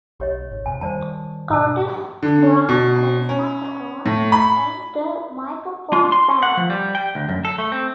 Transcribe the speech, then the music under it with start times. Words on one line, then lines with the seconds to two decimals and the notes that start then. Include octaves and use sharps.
Curtis Brown plays saxophone in the Michael Clark Band.
0.20 B1 G4 C#5 D#5
0.51 G#1
0.66 E2 C3 G#5
0.81 D#3 G3 C5 D5 A5
1.50 G#2 B2 G#5 E6
2.23 D3
2.69 B2
3.29 C#4
4.06 A2
4.32 B5
5.93 F4
6.12 C6
6.43 F#5
6.57 F3
6.70 G3
6.95 G5
7.15 D2
7.29 F#2
7.45 A4
7.58 A3
7.72 C4